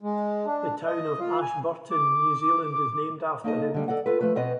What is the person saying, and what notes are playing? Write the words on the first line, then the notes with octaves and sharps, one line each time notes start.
The town of Ashburton, New Zealand is named after him.
G#3
D4
D#5
F4
G#5
D6
A#3 D#4 A4 D#5
D3 G3 A#3
A4 D5 D#5 F#5
F4 A4 B4
F3 A3 A4 B4
B2 B3 C4 D#5